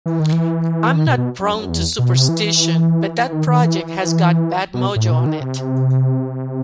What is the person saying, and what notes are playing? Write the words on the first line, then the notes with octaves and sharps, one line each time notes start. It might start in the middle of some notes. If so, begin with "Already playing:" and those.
I'm not prone to superstition, but that project has got bad mojo on it.
E3
D#3
E3
D#3
B2
B2
F#2
F#2
E2
B2
C3
E3
E3
D#3
D#3
E3
B2
A2
B2
D#3
C3